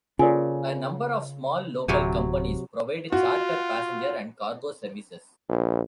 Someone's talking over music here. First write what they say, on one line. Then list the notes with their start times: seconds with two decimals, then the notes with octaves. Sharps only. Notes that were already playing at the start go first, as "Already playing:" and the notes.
A number of small local companies provide charter passenger and cargo services.
0.19 C#3 F4 A4 A#4 D5 G#5
1.88 D1 C3 F#3 G#4 G#5 B5
3.12 F4 F#4
5.49 A#1